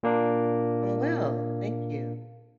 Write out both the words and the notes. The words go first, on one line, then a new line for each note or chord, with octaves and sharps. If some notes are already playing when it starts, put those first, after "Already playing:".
I'm well, thank you.
A#2 A#3 D4